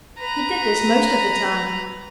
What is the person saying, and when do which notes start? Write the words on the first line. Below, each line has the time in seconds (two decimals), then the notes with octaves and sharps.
He did this most of the time.
0.18 B4 A#5